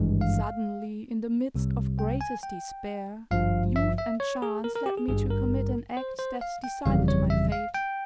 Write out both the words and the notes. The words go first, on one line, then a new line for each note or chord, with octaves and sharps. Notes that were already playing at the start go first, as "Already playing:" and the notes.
SUDDENLY, in the midst of greatest despair youth and chance led me to commit an act that decided my fate.
Already playing: G#1 G2 E3 G#3
F5
C2 C3 G3
G5
G#5
G5
G#1 G2 F3 F5
E5
E5
C#5
G#4
A#4
A#4
G4
G#4
G#1 G2 G3 G#4
A#4
C5
C5
F5
G5
G1 F2 C#3 E3 G3 F5
C#5
E5
F5
G5